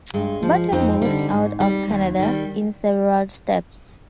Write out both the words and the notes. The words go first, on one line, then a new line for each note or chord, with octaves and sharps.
Bata moved out of Canada in several steps.
G2 G#3
F3
F2 C4 D#4
D3 G3
G#2
G3
D#2
D#3 G3